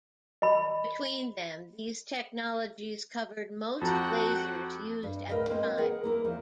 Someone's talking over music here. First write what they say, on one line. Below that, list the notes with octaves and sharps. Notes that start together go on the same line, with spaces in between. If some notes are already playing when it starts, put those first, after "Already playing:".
Between them, these technologies covered most lasers used at the time.
D#5 B5
F2 F#4 F#5 G5 A5 A#5
G2
D2 A2 A#4 B4 D#5 F5
G#3 A#3 C4
G#4 A#4 B4 F#5
A#3 E4 A#4
E2 F3